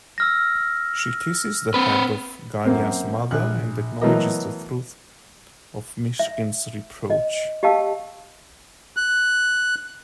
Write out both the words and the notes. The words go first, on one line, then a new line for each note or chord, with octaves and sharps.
She kisses the hand of Ganya's mother and acknowledges the truth of Myshkin's reproach.
E6 F6 A#6
C4 B4
F#2 A#3 C4
A#1 F#6
E3 F#3 A3 B3 A#4 D#5
E5
D#5
G4 D#5 F5 G5 A5 E6
F#6